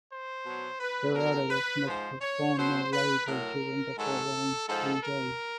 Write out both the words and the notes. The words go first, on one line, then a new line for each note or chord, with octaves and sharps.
The relatives must perform no labor during the following three days.
C5
B2 F#3
B4
B2 F#3 A#4
B4
G#2 F3 C5
C#5
B2 F#3 C5
B4
A2 F#3 A#4
G#2 D#3 F#3 A4
G#2 F3 A4
A#4